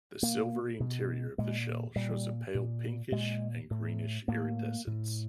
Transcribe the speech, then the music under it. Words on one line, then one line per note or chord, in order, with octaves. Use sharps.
The silvery interior of the shell shows a pale pinkish and greenish iridescence.
B2 A#3
B2
A#2 G#3
A#2 G3
A#2
A#2 G#3
A2
A2 A#3
A2